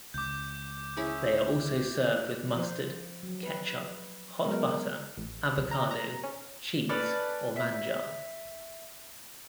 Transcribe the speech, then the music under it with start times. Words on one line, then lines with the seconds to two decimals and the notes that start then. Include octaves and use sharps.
They are also served with mustard, ketchup, hot butter, avocado, cheese or manjar.
0.14 C#2 D6 G6
0.97 C#4 E4 G#4
2.56 F3 C5
3.23 F#3
3.43 B4
4.44 F#3 G#3 B3 A#4
5.18 A1
5.57 B1
5.71 A#5
5.91 A#5
6.24 C#4
6.89 C#4 A4 B4 D5
7.56 E5